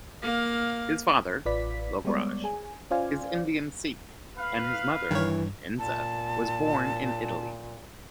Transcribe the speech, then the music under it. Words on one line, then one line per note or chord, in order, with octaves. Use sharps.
His father, Lokraj, is Indian Sikh and his mother, Enza, was born in Italy.
A#3 F5
A1 F4 B4 D5 B6
G3 G#3 B3 C#5 D5
G#4 G#5
C#4 F4 C5 D5 F5 G#5
B4 F5
G2 D#3 E3 C#5
A#2 A5